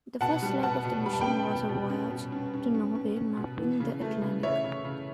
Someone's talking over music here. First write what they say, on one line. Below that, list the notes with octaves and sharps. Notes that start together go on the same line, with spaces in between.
The first leg of the mission was a voyage to Norway mapping the Atlantic.
B2 F#5 A5
G3
B2 F#5 A5
B2
G3 B5
A5
G5 B5
C#4
B2
B2
C#4
B2
C#4
C#4
C#4
C#4
C#4
B2
E3
C#3
A3
C#3
C#3 C#5 E5
C#3
C#3